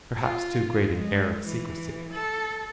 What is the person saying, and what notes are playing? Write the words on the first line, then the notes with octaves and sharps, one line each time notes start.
Perhaps too great an air of secrecy.
F4
G#3
E3
A4